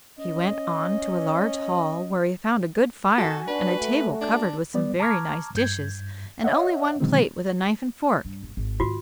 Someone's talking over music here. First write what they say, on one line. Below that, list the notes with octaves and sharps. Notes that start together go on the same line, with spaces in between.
He went on to a large hall, where he found a good fire, and a table covered with some very nice dishes, and only one plate with a knife and fork.
C#4 D#5
F#4 A4 G#5
D4 B4
A3
D4
G3 B3 D5
A5 A#5 C#6 D6 F6 G#6
G2 G6 G#6
C#5 D#5 E5 F#5
B2 D3 D#3 F#3 G#3 C4
G2
G1
G#1
G#2 D#3 F4 F#4